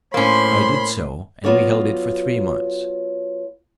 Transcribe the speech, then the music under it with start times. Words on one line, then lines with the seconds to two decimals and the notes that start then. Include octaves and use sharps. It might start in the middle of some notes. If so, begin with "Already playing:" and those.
I did so, and we held it for three months.
0.14 A2 A#3 C#4 C5 B5 C6
1.44 F#3 B3 F4 F#4 C#5 D5